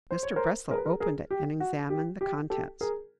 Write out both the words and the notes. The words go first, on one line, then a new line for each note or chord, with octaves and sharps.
Mr. Breslow opened it and examined the contents.
C5
C#5
A#4 C5
G#4 A#4
B4
G#4 A#4
G#4 A#4
G4
F#4
G4
G4
G4 A4
G#4 A#4